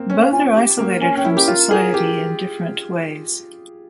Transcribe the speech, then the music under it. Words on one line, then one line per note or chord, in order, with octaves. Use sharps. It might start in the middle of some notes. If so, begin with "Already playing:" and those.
Both are isolated from society in different ways.
Already playing: A#3 C4
C#4
F5
F4 G#5
G4
A#3
C#4 G#5
C#4 G5
E4
G4 A#4
F4
G#4
G4